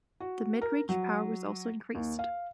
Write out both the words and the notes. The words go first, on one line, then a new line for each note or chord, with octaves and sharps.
The midrange power was also increased.
F#4
A#4
F#3
D#2
F5